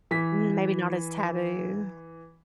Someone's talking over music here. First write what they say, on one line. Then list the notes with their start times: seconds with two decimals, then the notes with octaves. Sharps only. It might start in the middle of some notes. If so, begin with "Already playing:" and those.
Mm, maybe not as taboo.
0.11 E3 B6